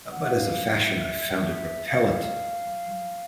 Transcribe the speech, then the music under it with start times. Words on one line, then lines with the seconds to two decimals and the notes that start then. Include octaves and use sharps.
But as a fashion I found it repellent.
0.12 F#5
0.38 F5
0.63 F5
0.75 E5
1.88 F5